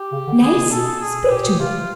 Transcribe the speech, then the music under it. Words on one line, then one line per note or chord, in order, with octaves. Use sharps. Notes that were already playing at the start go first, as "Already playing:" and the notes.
Nace! speak to me!
Already playing: G4
C#3
D3
D#3 G#4
C3
B2 A4
G#4
A#2 G4
B2
C3 F4